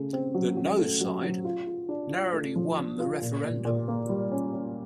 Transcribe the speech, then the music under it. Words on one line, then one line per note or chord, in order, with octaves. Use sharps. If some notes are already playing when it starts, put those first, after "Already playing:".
The "No" side narrowly won the referendum.
Already playing: C#3 A3
C4
F#3
F#3
A3
F#3
F#3
F4
F4
D4
F4
A3
F3
D4
F4
A#2
A#2
A#2
A#3
G3
C#4
C#4